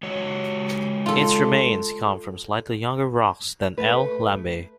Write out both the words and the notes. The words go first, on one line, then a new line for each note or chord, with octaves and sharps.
Its remains come from slightly younger rocks than "L. lambei".
G#3 F#4 C#5
F4 A4
A3 B4